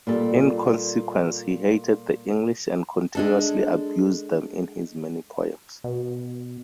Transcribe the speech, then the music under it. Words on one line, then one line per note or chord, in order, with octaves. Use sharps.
In consequence he hated the English and continuously abused them in his many poems.
A#2 G3 A4
G#3 D4 A4
B2